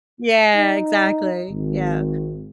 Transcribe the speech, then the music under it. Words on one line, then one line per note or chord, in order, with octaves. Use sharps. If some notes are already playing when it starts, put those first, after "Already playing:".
Yeah, exactly. Yeah.
D#4
G#1